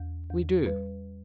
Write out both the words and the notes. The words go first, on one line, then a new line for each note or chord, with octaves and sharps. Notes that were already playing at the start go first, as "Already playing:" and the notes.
"We do."
Already playing: E2
E2
G3 B4